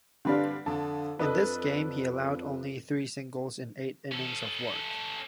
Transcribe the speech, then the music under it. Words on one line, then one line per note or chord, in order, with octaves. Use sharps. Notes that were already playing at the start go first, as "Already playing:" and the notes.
In this game, he allowed only three singles in eight innings of work.
G2 D3 G3 C4 D4 B4 F5
F2 D3 A5
F2 D4 A4 B4 D#5
C#4 A4